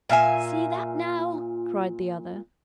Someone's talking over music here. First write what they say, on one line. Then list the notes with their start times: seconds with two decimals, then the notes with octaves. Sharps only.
'See that now!' cried the other.
0.09 A#2 F4 E5 G#5